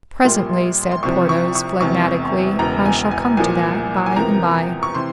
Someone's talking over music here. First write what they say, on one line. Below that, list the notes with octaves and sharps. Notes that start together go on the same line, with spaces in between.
"Presently," said Porthos, phlegmatically; "I shall come to that by and by."
A#1 A#2 G3 A#3 C6
C6
C2 C3 F3 C#6
C#6
C#6
E1 E2 C3 C#6
E1 E2 C#3 A#5
G#5
G#5
C2 A#2 F3 G#5
G#5
E2 C3 F3 A#3 A#5
C#6
C3 E3 C6